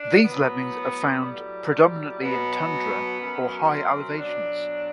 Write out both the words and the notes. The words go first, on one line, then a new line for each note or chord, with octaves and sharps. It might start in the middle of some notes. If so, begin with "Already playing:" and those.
These lemmings are found predominantly in tundra or high elevations.
Already playing: D4
A2 F#3 B3
A2 F#3 G3
B2 F#3 B3
F#2 F#3
C4
B2 F#3 D4